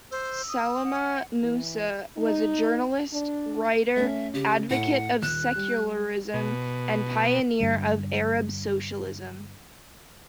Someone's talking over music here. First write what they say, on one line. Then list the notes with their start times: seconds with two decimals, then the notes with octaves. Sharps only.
Salama Musa was a journalist, writer, advocate of secularism, and pioneer of Arab socialism.
0.11 C5 E6
0.48 D#6
0.84 F#5
1.42 E3
2.16 D#4
3.12 D4
3.97 A3 C#4 E5
4.34 C#3 G4
4.70 A2 F#5
5.22 D#1 F#6 E7
5.55 G3
6.34 B2
7.60 G2 D3 G3